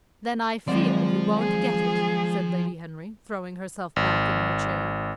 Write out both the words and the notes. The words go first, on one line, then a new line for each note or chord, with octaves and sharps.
"Then I fear you won't get it," said Lady Henry, throwing herself back in her chair.
D#3 F3 F#3 G#3 C4 F4 D5
G#4
G#1